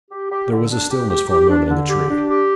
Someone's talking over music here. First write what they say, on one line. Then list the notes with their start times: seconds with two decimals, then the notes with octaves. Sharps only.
There was stillness for a moment in the tree.
0.11 G4
0.31 G4
0.51 D3
0.71 D4
0.90 G4
1.10 G4
1.30 G4
1.49 D4
1.69 D3
1.89 G4
2.09 D4
2.29 G4